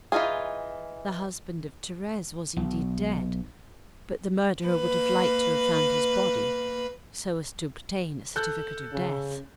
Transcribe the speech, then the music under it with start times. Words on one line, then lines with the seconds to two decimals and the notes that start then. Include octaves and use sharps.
The husband of Therese was indeed dead, but the murderer would have liked to have found his body, so as to obtain a certificate of death.
0.12 E3 F#3 D#4 F4 G#4
2.57 B1
4.66 A#3 B4
8.36 A4 F#6 G6
8.93 C#3